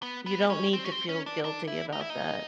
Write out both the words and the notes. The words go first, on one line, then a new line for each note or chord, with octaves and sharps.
you don't need to feel guilty about that.
B3
B3
C#4
C4
C#4
C4
C#4
D4
D4
E4
D#4
E4
D#4